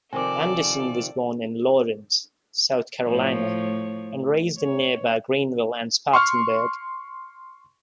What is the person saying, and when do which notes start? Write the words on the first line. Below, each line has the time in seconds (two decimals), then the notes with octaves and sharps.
Anderson was born in Laurens, South Carolina, and raised in nearby Greenville and Spartanburg.
0.13 C3 D#3 F3 A4 D5 G#5 D6
3.03 A2 F3 C#5
4.59 C#5
6.13 C6 C#6 F6